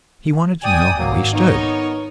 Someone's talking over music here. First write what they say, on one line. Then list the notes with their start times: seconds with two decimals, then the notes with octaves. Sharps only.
He wanted to know how he stood.
0.64 D5 G5 G#5 D#6
0.98 G#1 F#3 A#3
1.33 B3 D#4 A#4 C#5